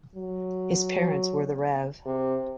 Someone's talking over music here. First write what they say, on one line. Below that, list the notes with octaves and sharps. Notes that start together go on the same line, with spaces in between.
His parents were the Rev.
F#3
C3